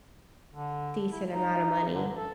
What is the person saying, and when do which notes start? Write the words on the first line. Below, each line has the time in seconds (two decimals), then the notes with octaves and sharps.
decent amount of money
0.52 D3
1.11 E4
1.31 D#4
1.94 D3
2.16 A4